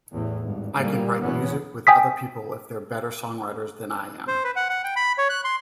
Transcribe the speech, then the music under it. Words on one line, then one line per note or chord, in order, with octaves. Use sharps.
I can write music with other people if they're better songwriters than I am.
A1 E2 A2
G#1 G2
B2 D3 G3 A#3
G1 E2 A#2 F#3 B3 C#4
G5 G#5 D#6 B6
C5
B4
F#5
F#5
G5
B5
C#5
F#6
C6